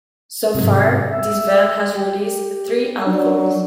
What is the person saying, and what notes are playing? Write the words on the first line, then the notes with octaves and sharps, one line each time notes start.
So far, this band has released three albums.
G#2 C3 F#3
E5
G4
F#3 D4